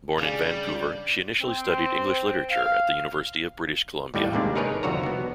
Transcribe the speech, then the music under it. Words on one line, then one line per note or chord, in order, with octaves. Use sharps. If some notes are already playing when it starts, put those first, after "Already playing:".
Born in Vancouver, she initially studied English literature at the University of British Columbia.
C#3 G3 D4 D5 F5 G#5
C4
F5
D#2 A2 G3 D5 A5
D#2 G#2 C3 A#3 D4
D#4 G#4 A#4 B4 C#5
C2 F2 D3 F#4 C#5 A#5
B3 F#4